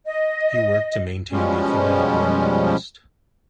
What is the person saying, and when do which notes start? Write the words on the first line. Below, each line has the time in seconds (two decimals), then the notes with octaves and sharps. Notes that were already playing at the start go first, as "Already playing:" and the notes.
He worked to maintain the authority of Rome in the West.
0.05 D#5
1.32 B2 F3 G3 G#3 C#4